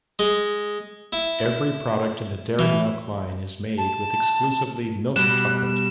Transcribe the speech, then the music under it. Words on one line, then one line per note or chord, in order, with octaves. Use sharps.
Every product in the Dairy Milk line is made with exclusively milk chocolate.
G#3
E4
E3
A5
B2 G3 F#6 E7